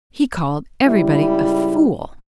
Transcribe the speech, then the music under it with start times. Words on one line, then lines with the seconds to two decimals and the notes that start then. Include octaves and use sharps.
He called everybody a fool.
0.87 C#2 G#2 G3 E4